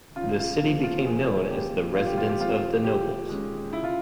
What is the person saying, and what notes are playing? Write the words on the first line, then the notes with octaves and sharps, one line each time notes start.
The city became known as the "residence of the nobles".
C#3 F4
F4
F3 A#3
F4
F3 G#4
A#3 C#4 G4
F3 F4
G4
F4
G4
G#3 C4 F4
A#2 G4
G#3 C#4
C#3 E4
F4